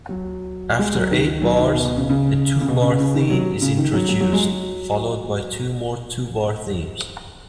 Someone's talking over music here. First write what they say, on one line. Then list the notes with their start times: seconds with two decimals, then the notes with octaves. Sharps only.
After eight bars, a two-bar theme is introduced, followed by two more two-bar themes.
0.09 F#3
0.79 G#3
0.95 F#3
1.11 D#3
1.26 D#3
1.42 F#3
1.59 D#3
1.73 B2
1.85 B2
1.97 C#3
2.09 C#3
2.61 C#3
2.68 B2
2.83 C#3
2.99 C#3
3.14 D#3
3.30 F#3
3.62 C#3
3.77 D#3
3.93 F#3
4.09 F#3
4.21 F#3
4.33 G#3
4.45 F#3